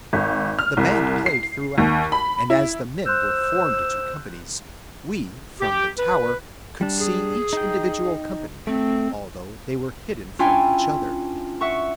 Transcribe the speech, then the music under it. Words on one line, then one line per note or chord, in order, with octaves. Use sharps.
The band played throughout and as the men were formed into companies we from the tower could see each individual company although they were hidden from each other.
G#1
F6
C2
C7
D#2
B5
E4
C5 C6 E6 F#6 G6
G4
B4
G3 D4
G#4
D#4 G5
A3 C4
C#4 D4 E4 F4 G5 G#5
E5 F#5 C#6